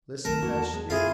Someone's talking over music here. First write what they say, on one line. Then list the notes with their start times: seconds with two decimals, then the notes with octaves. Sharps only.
"Listen to that steer."
0.25 C2 D#3 A3 C4 A#4 A5
0.42 E2 A#3 E4 F#4
0.73 G#3 C4
0.90 F#2 D3 C4 E4 F4 G#4